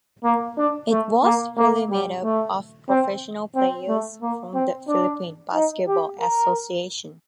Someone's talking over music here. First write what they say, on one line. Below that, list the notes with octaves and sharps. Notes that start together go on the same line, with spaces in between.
It was fully made up of professional players from the Philippine Basketball Association.
A#3
D4
A3
A#3
A#3
G3
A3
C4
C4
A3
A#3
C4
D4
D#4
G4
A#4